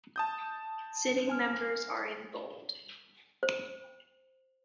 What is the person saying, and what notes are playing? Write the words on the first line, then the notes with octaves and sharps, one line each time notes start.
Sitting members are in bold.
A5 D#6 G6
C5 G#5 F6
C5